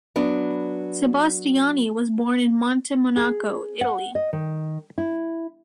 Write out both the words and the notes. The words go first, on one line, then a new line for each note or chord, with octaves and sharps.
Sebastiani was born in Montemonaco, Italy.
F#3 B3 D4
G#4
F#5
D#5
D#3
E4